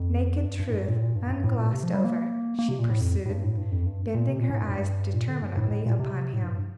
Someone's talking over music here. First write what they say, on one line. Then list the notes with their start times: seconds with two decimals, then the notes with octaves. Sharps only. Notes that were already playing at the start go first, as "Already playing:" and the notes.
"Naked truth, unglossed over," she pursued, bending her eyes determinately upon him.
Already playing: F2
0.45 G2
0.59 G2
0.69 A2
0.74 G2
0.88 A#2
0.97 A2
1.01 A#2
1.15 G2
1.30 G2
1.44 A2
1.58 A#2
1.73 C3
1.83 F3
1.94 G3
2.04 A#3
2.59 A#3
2.69 C3
2.79 A#2
2.89 A2
3.01 F2
3.26 A2
3.29 G2
3.44 A2
3.58 G2
3.72 F2
3.86 G2
4.14 A#2
4.29 C3
4.40 A#2
4.50 A2
4.61 G2
4.71 G2
5.14 A#2
5.28 D3
5.42 G2
5.57 A2
5.71 A2
5.86 A#2
5.99 C3
6.33 A2
6.43 G2